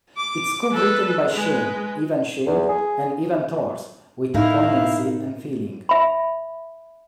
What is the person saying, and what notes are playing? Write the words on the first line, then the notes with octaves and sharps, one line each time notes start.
It's co-written by Shane, Ivan Shane and Ivan Tors with poignancy and feeling.
D6
A4 B4
G#3 B4
E2
G#4
A2 D#4 E4 A#4 F5
E5 B5